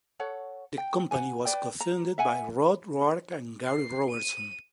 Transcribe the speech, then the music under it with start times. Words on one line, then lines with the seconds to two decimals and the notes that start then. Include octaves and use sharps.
The company was co-founded by Rod Roark and Gary Robertson.
0.19 A4 C#5 F#5
0.78 G5
1.11 F#5 G#5
1.45 B4 D5 G5
1.80 A#5
2.18 E5 F#5 G#5
3.66 C7
4.11 D#7